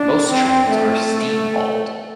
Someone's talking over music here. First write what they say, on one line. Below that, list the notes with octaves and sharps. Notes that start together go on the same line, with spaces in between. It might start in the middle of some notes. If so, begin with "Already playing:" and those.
Most trains are steam-hauled.
Already playing: D4
C4
A3